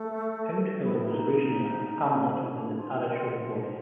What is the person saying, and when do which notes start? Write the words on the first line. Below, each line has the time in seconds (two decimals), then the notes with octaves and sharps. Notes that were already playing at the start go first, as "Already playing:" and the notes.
Pound Hill was originally a hamlet within the parish of Worth.
Already playing: A3
0.84 B3
1.05 E4
1.10 D#4
1.35 D#4
2.39 E4
2.52 D4
2.65 E4
2.78 F4
2.91 E4
3.03 F4